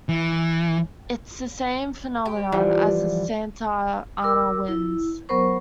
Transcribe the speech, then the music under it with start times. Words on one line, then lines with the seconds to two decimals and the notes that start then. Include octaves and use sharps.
It is the same phenomenon as the Santa Ana winds.
0.09 E3
2.25 G4
2.52 D3 E3 F3 G3
4.22 A#4 D6 E6
4.68 E4
5.29 F#3 B3 A#4 C5 C#6